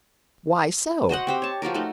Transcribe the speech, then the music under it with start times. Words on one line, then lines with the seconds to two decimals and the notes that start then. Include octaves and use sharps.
"Why so?"
1.09 F#4 C5 D#5 F#5
1.27 C4 G4 C5
1.42 C#5 A5
1.62 F3 F#4 G4 A#4
1.74 A3 D#4 F#4